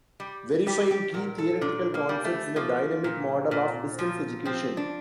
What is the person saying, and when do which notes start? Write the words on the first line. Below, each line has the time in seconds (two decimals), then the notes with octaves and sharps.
Verifying key theoretical concepts in a dynamic model of distance education.
0.20 G3
0.67 G3 G4
0.91 G4
1.14 A#2 A#4
1.38 A4
1.61 A#2 D4
1.94 A#3
2.09 G3
2.25 A3
2.56 F3 A#3
3.04 A#2
3.51 A#2
3.99 F3
4.45 F3 C4
4.77 D4